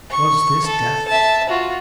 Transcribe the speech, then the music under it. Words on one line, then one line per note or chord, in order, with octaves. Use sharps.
Was this death?
C#6
A4
E5 A5
F4 F#4